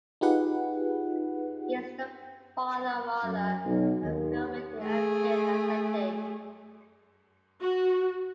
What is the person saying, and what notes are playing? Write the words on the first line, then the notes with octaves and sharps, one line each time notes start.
He is the father of author and filmmaker M. K. Asante.
D#4 F4 G4 G#4 B4 F#5
F#2
B1
D#2
A3 G#4
F#4